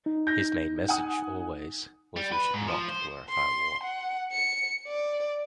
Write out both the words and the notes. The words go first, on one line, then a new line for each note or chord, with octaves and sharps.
His main message always was we should not glorify war.
D#4
G6 A#6
F#5 G#5 D#6
G3
B4
G#2
F3
C5
C6
F#5
C#7
D5